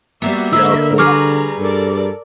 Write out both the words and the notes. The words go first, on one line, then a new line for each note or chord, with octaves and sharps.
you know? So
G3 A#3 B3 F#4 E5
D3 A#3 A#4 B4 D#5 E5 E6
G3 G#4 B4 A#5 C#6 D6 F6
G2 A4 A#4 D5